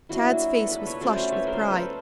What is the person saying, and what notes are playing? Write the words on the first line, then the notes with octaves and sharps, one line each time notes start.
Tad's face was flushed with pride.
F#3 A#3 D4 E4 F#4
A4 B4
A4 B4
B4 C#5
F#3 A3 C#4 C5 D5
C5 D5
B4 C#5
A#4 C5
C5
A4 B4